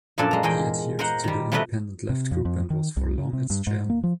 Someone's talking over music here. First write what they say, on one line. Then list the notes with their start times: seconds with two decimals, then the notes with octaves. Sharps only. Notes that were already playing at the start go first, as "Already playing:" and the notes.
He adhered to the Independent Left group, and was for long its chairman.
0.18 F#2 A#2 F3 D4 A4 G#5
0.31 G#3 A#5
0.43 E2 A#2 G#3 D#5 G5 G#5
0.99 A#4 C5 D#5 F#5
1.24 D#3 G3
1.52 C3 G3 A3 B3 B4 D#5
2.09 C3
2.31 F2
2.45 F2
2.70 D#3
2.97 C2
3.17 C#3
3.33 C3
3.50 G2
3.67 G#2
3.90 A#3
4.03 F3